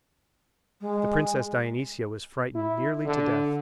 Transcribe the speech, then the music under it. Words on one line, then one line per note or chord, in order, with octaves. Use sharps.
The princess Dionysia was frightened nearly to death.
G#3
E4
D3